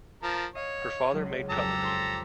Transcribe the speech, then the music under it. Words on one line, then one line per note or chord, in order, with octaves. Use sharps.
Her father made cutlery.
F3 A#4 A5
C#5 D#5 F5
C#2 F#3 G#4
F2 G4 A4 A#5
C6